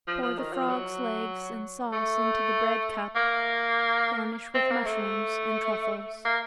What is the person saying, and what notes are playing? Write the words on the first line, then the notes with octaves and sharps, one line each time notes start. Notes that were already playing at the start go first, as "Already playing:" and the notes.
Pour the frogs legs and sauce into the bread cup, garnish with mushrooms and truffles.
F3
F3
D#3
F3
F#3
A3
A#3
C4
A#3
A3
A#3